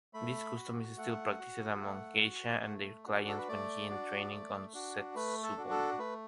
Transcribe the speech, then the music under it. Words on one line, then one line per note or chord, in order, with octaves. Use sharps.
This custom is still practiced among geisha and their clients when entertaining on Setsubun.
A3 B5
F#4
A3 F#5
F#4
A3
F#4
A3
D4 F#4
A4
B4
A3 D5
D4 F#4
A3
D4 F#4
A3 B4
A4
D4 F#4
A4
A3 B4